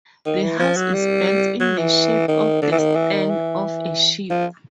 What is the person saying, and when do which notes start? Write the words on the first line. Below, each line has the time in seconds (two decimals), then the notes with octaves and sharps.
The house is built in the shape of the stern of a ship.
0.26 D#3
0.43 E3
0.59 F3
0.77 F#3
0.93 G3
1.60 F#3
1.78 E3
2.28 D#3
2.62 D3
2.71 E3
2.78 D#3
2.95 E3
3.12 D#3
3.29 E3
4.30 F3